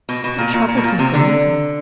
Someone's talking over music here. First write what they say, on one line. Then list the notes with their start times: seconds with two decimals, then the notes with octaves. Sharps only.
It troubles me greatly.
0.09 B2
0.24 B2
0.38 A#2
0.54 A#2
0.69 A#2
0.77 B2
0.84 A#2
0.99 C3
1.14 D3